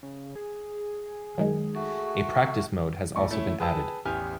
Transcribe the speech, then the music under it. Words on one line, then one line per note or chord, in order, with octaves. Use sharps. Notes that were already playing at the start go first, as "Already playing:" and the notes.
A practice mode has also been added.
C#3
G#4
F#2 D#3 G#3
A3 F#4
C#2 A2 D5 C#6
A3 C#4 E4
G#4 B4 G5 A5 E6
A1 E2 G4 G#5 F6